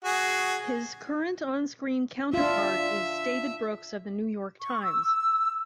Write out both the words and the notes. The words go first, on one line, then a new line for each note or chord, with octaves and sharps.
His current on-screen counterpart is David Brooks of "The New York Times".
F#4 G#4
D4 F4 E5
C#6
E6